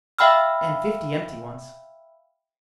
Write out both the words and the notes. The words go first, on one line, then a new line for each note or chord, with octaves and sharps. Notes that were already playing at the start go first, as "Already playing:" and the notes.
"And fifty empty ones."
E5 F5 G5 B5 E6 F6